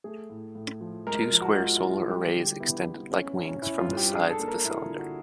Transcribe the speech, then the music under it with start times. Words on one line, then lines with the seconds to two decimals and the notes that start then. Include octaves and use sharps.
Two square solar arrays extended like wings from the sides of the cylinder.
0.04 A3 G#4
0.30 A2
0.55 A2
0.81 F3
1.07 G#3 A#4
1.24 A#4
1.32 F3
1.41 F#4
1.57 G#3 F4
1.75 E4
1.83 G#3
1.92 F4
2.09 G3 G4
2.26 G4
2.35 D3
2.43 G4
2.60 B3 E4
2.86 B3
3.12 C#4
3.37 C#4
3.62 C#4 E4
3.79 F4
3.88 G2
3.97 G4
4.13 D4 G#4
4.30 A4
4.39 A#3
4.48 A#4
4.65 A#3 E4
4.82 F4
4.90 D3
4.99 F#4